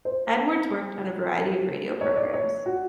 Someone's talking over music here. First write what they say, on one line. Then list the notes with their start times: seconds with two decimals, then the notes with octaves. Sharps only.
Edwards worked on a variety of radio programs.
0.05 C5
2.01 C#5
2.16 D5
2.33 C#5
2.66 F#4